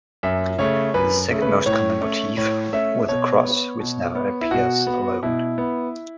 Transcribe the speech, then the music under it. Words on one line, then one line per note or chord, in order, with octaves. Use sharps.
The second most common motif were the cross, which never appears alone.
F#2 E5
C#3 A3 C#5
F#2 B4
C#3 A3
B4
A2 C#5
A3 C#4
A2 C#5
A3 C#4 E5
B2 C#5
B3
B2
B3
E4
B2 F#4
B3
B2 E4
B3